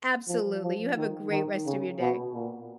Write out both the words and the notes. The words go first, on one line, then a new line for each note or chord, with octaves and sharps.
Absolutely, you have a great rest of your day.
F3
F3
D#3
D#3
C#3
B2
A#2